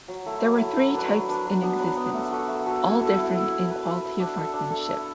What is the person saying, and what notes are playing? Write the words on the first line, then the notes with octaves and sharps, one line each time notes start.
There were three types in existence, all differing in quality of workmanship.
F#3
A3 E4
F#3
A3 E4
F#3
D4 B4
F#3
D4 B4
F#3
B3 D4
F#3
B3 D4
A3
F#4 A4 E5
A3
F#4 A4 E5
E4
A4 E5
E4
A4 E5
E4
B4 E5
E4
B4 E5
D4
A4 E5
D4
A4 E5
E4